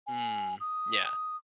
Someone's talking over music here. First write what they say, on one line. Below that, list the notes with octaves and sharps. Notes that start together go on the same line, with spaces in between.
Mm, yeah.
G#5
D#6
D#6